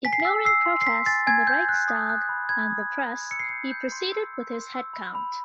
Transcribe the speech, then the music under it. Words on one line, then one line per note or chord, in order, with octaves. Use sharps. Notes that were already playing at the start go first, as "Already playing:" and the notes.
Ignoring protests in the Reichstag and the press, he proceeded with his head count.
G#5 B6
C7
B6
E6
E6 C7
C6
C7
C6 B6
G#5 A6
G#5 G#6
G#5 G6
F#6
D#6
F#6
B5
B5 G#6
D#6
B5
B5
E6 C#7
C7
G6 C#7
G6
C6
E6
E6
C6
E6
B5
B5